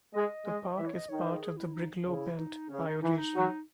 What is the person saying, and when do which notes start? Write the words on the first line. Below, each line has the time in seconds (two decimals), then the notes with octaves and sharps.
The park is part of the Brigalow Belt bioregion.
0.14 G#3 D#5
0.45 G#3
0.77 E3 E5
0.87 C#5
0.94 D#5
1.09 D#3 C#5
1.21 C5
1.32 G#4
1.42 G#4
1.57 E4
1.74 D#4
2.06 C#3 E4
2.38 D#4
2.70 C#3 C#4
2.87 D#4
3.02 E3 D#4
3.10 E4
3.17 D#4
3.35 F#3